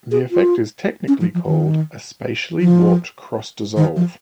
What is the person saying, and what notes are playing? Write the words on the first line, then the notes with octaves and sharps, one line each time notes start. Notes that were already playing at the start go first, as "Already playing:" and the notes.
The effect is technically called a "spatially warped cross-dissolve".
G#4
F4
C#4
F3
F3
D#3
F3
D#3
F3